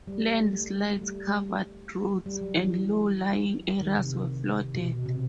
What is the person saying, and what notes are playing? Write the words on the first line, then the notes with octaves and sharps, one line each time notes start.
Landslides covered roads, and low-lying areas were flooded.
G3
A3
A3
A3
G3
G3
F#3
E3
D#3
C3
B2
C3